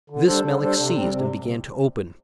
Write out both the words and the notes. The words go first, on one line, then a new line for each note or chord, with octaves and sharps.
This Melick seized and began to open.
D3
G3 D4 A4 C5
D3
G3 D4 A4 C5
C3
G3 C4
C3